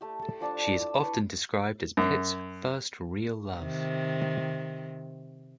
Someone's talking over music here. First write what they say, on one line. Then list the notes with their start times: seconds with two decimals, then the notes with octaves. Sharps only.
She is often described as Pitt's first real love.
0.01 A3 G4
0.22 A4
0.40 F3 D4 A5 D6
0.73 E4 E6
1.03 B4 C#6
1.97 F#2
3.58 C3 D#3